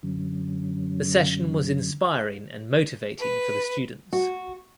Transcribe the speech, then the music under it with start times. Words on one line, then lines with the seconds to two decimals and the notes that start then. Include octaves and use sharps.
The session was inspiring and motivating for the students.
0.03 F#2 D3
3.20 B4
4.13 F#4